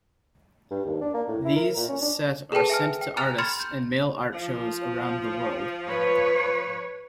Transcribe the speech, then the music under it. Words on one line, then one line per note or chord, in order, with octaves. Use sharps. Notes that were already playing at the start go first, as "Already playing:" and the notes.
These set are sent to artists and Mail Art shows around the world.
G2
D#2
D4
A#3
A2
E4
A#4
A#2
C#4
D4
G#4 A4 B4 G5 A5
E5 G#5 F6
G5
G#5 A#5 F6 F#6 A6 F7
B5 C6 F6 G#6 A6 C#7
G6
F3
B4 C#5